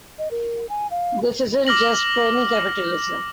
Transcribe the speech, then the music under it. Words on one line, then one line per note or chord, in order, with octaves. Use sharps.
This isn't just crony capitalism.
D#5
A#4
G#5
F5
D6 F6 A#6 F#7